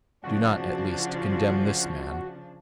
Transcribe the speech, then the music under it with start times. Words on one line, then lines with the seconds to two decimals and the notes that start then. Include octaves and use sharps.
Do not, at least, condemn this man!
0.24 C#3 F3 D4 F#4